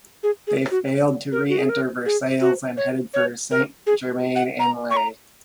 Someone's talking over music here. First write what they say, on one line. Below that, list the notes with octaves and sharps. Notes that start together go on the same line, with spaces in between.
They failed to re-enter Versailles and headed for Saint-Germain-en-Laye.
G#4
G#4
F#4
A#4
F#4
G#4
A#4
G#4
F#4
C#5
C#5
A#4
G#4
F#5
A#5
C#6
A#5